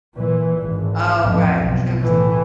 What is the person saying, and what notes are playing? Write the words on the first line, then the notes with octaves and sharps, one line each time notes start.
Oh, right. Come t
A#2 E3
G#1
A1 F2
B1
A2 E3